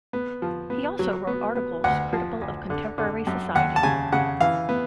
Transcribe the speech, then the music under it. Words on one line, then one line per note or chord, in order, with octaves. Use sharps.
He also wrote articles critical of contemporary society.
B3
F3
B3
F#3
B3
B3
D2 F#5
F3
D2
D3
D3
F#2
D#2 F#5
A5
C#3 G#5
C#3 F#5
E3 F5
B3